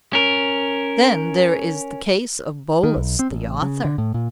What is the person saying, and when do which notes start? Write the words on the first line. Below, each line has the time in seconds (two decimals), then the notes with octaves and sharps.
Then there is the case of Bolus the author.
0.13 C#4 A#4
2.83 D#3
2.96 B1
3.19 C4
3.31 A1
3.62 C#3
3.85 D3
3.98 A2
4.14 A#2